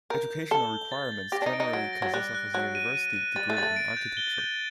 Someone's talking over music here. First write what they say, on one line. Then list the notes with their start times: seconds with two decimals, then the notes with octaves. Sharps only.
Educational requirements generally consist of a university degree in architecture.
0.10 A#4 G6
0.31 G6
0.51 A4 G7
0.71 G7
0.92 A6
1.12 A6
1.32 G4 A#6
1.42 D4
1.46 D#4
1.53 D7
1.60 D#4
1.73 F#3 D7
1.93 A#6
2.02 F#3
2.14 G3 F#6
2.35 F#6
2.54 F#3 F#6
2.75 D#7
2.95 D#7
3.16 D#7
3.36 G3 A6
3.50 A3
3.57 G3 A6
3.63 A3
3.76 D7
3.97 G6
4.17 G7
4.38 G6